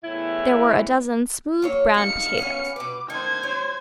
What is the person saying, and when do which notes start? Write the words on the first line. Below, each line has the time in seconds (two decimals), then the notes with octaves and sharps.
There were a dozen smooth, brown potatoes.
0.03 E2 A2 E4
1.62 F#3 A#3 C#5
1.94 D#4 F5 C#7
2.38 B3 C#4 G#5
2.76 B2 B4 D6
3.10 D#3 A3 C5 G#6
3.43 F#3